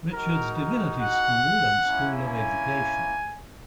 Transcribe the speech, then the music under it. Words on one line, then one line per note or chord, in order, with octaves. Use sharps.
Richards Divinity School, and School of Education.
G#3 D#4 F#4 A#4
A#4
F#5
A#3 C#4 E4
G#5